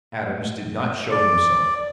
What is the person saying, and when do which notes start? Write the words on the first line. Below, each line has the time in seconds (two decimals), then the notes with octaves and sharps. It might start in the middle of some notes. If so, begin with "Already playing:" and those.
Adams did not show himself.
1.11 D5